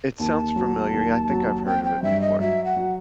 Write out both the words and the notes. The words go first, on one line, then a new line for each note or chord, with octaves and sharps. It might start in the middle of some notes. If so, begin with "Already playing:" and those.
It sounds familiar, yeah, I think I've heard of it before.
D#2 A5
F#3
D#2
F#3
C4 G5
G5
G2 E5
D#5
F#3 E5
F#5
F#3